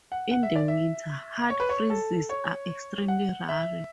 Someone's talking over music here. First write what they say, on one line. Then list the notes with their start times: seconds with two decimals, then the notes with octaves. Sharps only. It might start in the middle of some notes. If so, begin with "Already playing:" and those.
In the winter, hard freezes are extremely rare.
0.12 F#5
0.31 F#5
0.43 E5
0.56 D5
0.68 E5
1.50 C#5
1.60 B4
1.69 C#5
1.90 A4
2.29 C#5
3.08 F#5
3.49 E5